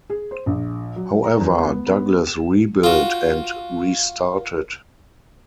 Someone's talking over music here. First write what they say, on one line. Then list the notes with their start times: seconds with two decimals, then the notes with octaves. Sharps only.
However, Douglas rebuilt and restarted.
0.10 G#4
0.31 C5
0.46 A#1
0.96 F#3
1.24 A#5
1.40 E2
1.58 B3
1.87 B3
2.27 E7
2.84 F4 F#4